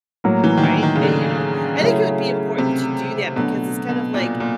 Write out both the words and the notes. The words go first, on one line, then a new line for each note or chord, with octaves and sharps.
Right, uh, you know, I think it would be important to do that because it's kind of like,
A2 F#3 A#3
E3
D#3
E3
D#3
C#3
D3
C#3 F#3 A3 C#4 E4 G#4
C3
B2 D3 F#3 A3
B2
A#2
A#2